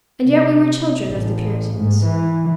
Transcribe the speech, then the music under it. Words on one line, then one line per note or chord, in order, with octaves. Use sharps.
And yet we were children of the Puritans.
C3
A1
G#2
E3